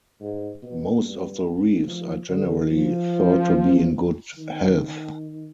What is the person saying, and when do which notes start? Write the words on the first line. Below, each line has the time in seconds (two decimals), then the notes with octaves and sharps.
Most of the reefs are generally thought to be in good health.
0.20 G#2
0.63 B2
1.04 G2
1.87 F3
2.29 D3
2.71 F3
4.38 D#3